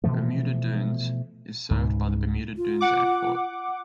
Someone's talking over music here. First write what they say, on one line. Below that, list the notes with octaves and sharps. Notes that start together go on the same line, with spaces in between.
Bermuda Dunes is served by the Bermuda Dunes Airport.
B2 E3 F3 A3
C#2 G#2
F4
F#5 D6